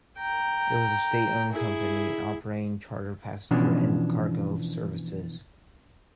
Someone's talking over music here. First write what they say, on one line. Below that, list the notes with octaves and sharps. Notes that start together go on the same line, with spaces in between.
It was a state-owned company operating charter passenger and cargo services.
G5 A#5
E4 G#4
B2 E3 F3 C#4 D4